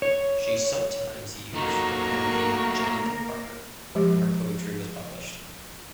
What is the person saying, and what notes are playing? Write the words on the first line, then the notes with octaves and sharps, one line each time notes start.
She sometimes used the pen name "Jonathan Parker" when her poetry was published.
C#5
F#3 A3 A#3 D#4 A#4 A#5 C#6
F3 G#3 G4